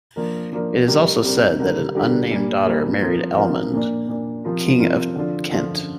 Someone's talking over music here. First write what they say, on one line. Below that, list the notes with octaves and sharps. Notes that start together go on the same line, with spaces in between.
It is also said that an unnamed daughter married Ealhmund, King of Kent.
F3 A#3 D4 A#4
F3 A#3 D4 A#4
C3 G3 C4 G4 A#4
C3 G3 C4 G4 A#4
D3 G3 D4 G4 A#4
D3 G3 D4 G4 A#4
A#2 G3 A#3
A#2 G3 A#3
F3 C4 F4 A#4
F3 C4 F4 A#4
A#2 A#3 D4
A#2 A#3 D4
C3 F3 C4 F4 A#4
C3 F3 C4 F4 A#4
D3 F3 D4 F4
D3 F3 D4 F4